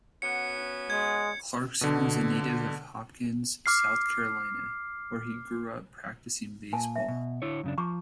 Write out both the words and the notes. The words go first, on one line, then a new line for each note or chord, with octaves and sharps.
Clarkson was a native of Hopkins, South Carolina, where he grew up practicing baseball.
B3 C#4 F#4 C#7
G#3 G#6
B2 D3
D6 F6 C7
A#2 G#5 A5
E5
B2
D3 E4 C#5
F#2 C#3 D4
F3 A#5 C#6 D6